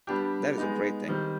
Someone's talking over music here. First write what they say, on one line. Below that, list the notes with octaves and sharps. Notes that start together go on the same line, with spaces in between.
That is a great thing.
G3 B3 D4 G4
G#3 B3 D#4
D#3 G3 C4